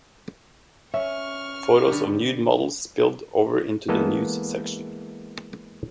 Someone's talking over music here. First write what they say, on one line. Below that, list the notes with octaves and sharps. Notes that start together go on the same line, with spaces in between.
Photos of nude models spilled over into the news section.
C#4 E5 C#6 F6
D3 B3 G4
E3 G#3 A#3 B3 A4 D#5